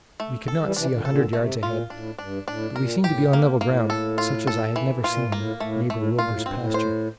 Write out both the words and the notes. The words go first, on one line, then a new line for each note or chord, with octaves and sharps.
We could not see a hundred yards ahead, but we seemed to be on level ground, such as I had never seen in Neighbor Wilbur's pasture.
A3
A4
E3 G3
C3 E3 D4
A#2 D3
E3
A#2 D3 A4
C3 A3
A#2 F4
A2 D4
G2 D4
A2 D4
A#2 A#4
A2 G4
A#3
A2 A#3
A4
F4
A4
E3
A#2 F4
A2 A#3
A2 A3
A2 A3
A#2 F4
A2
G2 C4
A2
C5